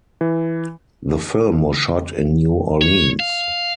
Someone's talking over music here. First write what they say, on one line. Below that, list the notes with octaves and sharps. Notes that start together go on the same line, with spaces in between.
The film was shot in New Orleans.
E3
C#5
F5